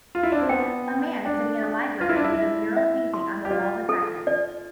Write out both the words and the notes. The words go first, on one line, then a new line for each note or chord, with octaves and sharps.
A man sitting in a library with a mural painting on the wall beside him.
F4
E4
D4
C4
B3 G5
G5
D4 G5
A4
F4 B4
E4
D4
E4
E5
E5
C6
G4
F4 D5
A4
D5